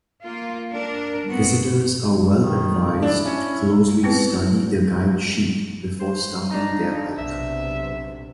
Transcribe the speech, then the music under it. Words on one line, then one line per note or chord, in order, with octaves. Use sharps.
Visitors are well advised to closely study the guide sheet before starting their hike.
A#3 F4
D4 A#4
A2 B3 C4 F#4
D#3
D4 E4
C#4
B3 C4 E4 B4
C5
D4 D#4 A#5
B1 C3 E5